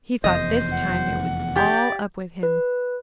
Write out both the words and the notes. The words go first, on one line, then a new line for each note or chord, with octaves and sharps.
He thought this time it was all up with him.
F1 E2 C5 D#5
F#5
G4 D5
B4